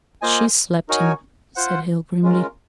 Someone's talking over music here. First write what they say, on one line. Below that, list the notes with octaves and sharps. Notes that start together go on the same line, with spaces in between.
"She slapped him," said Hale grimly.
A#3 F4 C5 D#5 G#5
D#4 F#4 A#4 C#5 G#5
F4 C5 F#5
G#3 C#4 F4 A#4